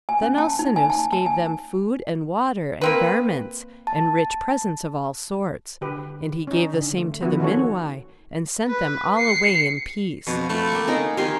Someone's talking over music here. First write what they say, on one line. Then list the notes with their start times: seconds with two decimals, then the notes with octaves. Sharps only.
Then Alcinous gave them food, and water, and garments, and rich presents of all sorts; and he gave the same to the Minuai, and sent them all away in peace.
0.09 G#5
0.22 C#4
0.38 A5
0.59 D#4
0.76 G#5
0.90 A5
1.13 A5
1.26 G#5
2.81 A#3 C4 B4
3.87 A5
5.81 D3 G4 B4
6.47 C#4 D#4
6.73 D3
6.98 A3
7.21 F3 B3 E4 F#4
7.40 D#3 A3 C#4 F#4 A4 C#5
8.68 B4
9.17 C7 C#7
10.27 F2 B2
10.49 A3 E4 F4
10.72 A#3 G4
10.88 D#4 G#4 A#4
11.17 D#3 G4 A#4 G#5 C6